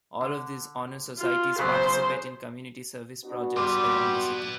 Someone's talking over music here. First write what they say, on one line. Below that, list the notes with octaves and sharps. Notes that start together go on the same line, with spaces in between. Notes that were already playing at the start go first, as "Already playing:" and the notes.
All of these honor societies participate in community service projects around the city.
D3
F4
C#3 F#3 B3 C5
B3 D4 F#4
G3 G4 B4 C6 D6